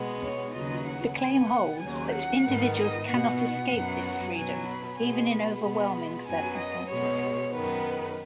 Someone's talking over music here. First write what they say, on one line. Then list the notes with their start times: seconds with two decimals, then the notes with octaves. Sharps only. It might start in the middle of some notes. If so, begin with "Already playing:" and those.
The claim holds that individuals cannot escape this freedom, even in overwhelming circumstances.
Already playing: B2 G#3 B3
0.22 C#5
0.54 D#2 C#3 F#3 B3 D#5
0.86 F#5
1.18 B2 B3 G#5
1.50 F#5
1.81 D#2 C#3 F#3 G#5
2.13 F#5
2.45 G#2 D#3 B3
2.77 D#5
3.08 B2 B3 F#5
3.40 F#5
3.72 F#2 F#3 B3
4.35 B2 F#3 B3 G#5
4.68 B5
4.99 B2 G#3 B3 G#5
5.31 B5
5.63 B2 G#3 B3
6.26 F#2 F#3 B3 G#5
6.58 D#5
6.90 B2 G#3 B3 C#5
7.54 F#2 D#3 B3 B4